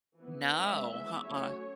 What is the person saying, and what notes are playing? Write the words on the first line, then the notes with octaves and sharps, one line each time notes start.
No, nuh-uh.
E3 B3
E3 G#3 C#4 E5
E3 G#3 B3 E5
F#3 A3 C#4 C#5